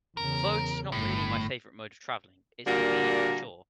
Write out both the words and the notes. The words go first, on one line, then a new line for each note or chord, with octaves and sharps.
Although it is not really my favorite mode of traveling, it's convenient for sure.
E2 C#3 A#4
G1 A2
A#2 D3 G3 A#3 F#4 A#4